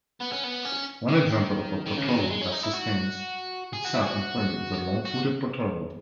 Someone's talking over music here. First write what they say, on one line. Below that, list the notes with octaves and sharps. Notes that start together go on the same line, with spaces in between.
One example of a potoroo that sustains itself on fungi is the long-footed potoroo.
B3
C#4
B3
C#4
D#3
D#3
C#3
D#3
F#3
G#3
C#4
D#4
E4
F#4
G#4
F#4
E4
G#4
F#4
F#4